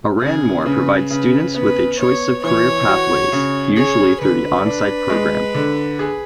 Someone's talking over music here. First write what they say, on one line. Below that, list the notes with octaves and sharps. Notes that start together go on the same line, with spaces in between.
Aranmore provides students with a choice of career pathways, usually through the OnSite program.
C#3 G#4
C#3 B4
C#3 B4
B3 B4
B3 C#5
E3 C#5
F#4
C#3
G#4 C#5
D3 B4
D4
G#3
D3
G#4